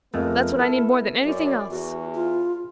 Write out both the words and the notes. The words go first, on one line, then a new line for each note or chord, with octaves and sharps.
That's what I need more than anything else.
F2 G#3 A3 B3 A#4
E4 A4
F#2 D5
E2 F#4
F4